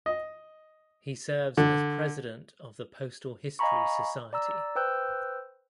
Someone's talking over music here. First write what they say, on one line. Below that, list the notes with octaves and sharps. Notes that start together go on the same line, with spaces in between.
He serves as President of the Postal History Society.
D#5
D3
D#5 F5 G#5 A#5 B5 C#6
D5 A#5 E6
B4 C5 G5 E6 F#6 G6